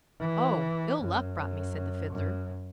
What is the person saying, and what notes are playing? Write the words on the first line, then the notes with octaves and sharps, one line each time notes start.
"Oh, Ill-Luck brought me," said the Fiddler.
E3
F#2
F#2